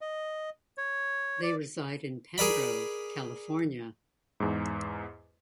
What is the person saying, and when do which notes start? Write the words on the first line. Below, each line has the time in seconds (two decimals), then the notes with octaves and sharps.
They reside in Penngrove, California.
0.01 D#5
0.78 C#5
1.42 D5
2.38 G#4 A#4 D5 B5
4.40 E2 G#2